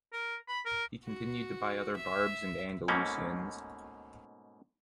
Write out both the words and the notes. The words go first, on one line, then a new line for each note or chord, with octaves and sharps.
He continued to buy other Barbs and Andalusians.
A#4
B5
A#4
F#4
E5
G#2 B2 A3 A#3 C#4